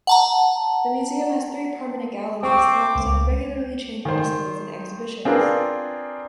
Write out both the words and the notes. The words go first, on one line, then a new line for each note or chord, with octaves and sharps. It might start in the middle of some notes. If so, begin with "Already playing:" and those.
The Museum has three permanent galleries, alongside regularly changing displays and exhibitions.
F#5 A5 A#5
C4 G5 C#6 D6
C#2
D#3 C5
C4 D4 F4 G#4 A#4 B4